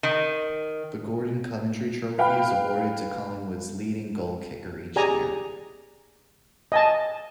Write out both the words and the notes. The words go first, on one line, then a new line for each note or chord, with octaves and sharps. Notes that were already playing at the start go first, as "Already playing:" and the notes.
The Gordon Coventry Trophy is awarded to Collingwood's leading goal kicker each year.
D#3
B4 F5 G5 B5 F6
G4 G#4 D5 G#5 A#5
D#5 G#5 A5